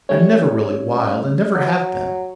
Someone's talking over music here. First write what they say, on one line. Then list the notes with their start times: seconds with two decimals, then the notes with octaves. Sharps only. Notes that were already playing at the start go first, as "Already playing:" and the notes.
I'm never really wild and never have been.
0.09 G3 A3 C#4 C#5
1.54 F#3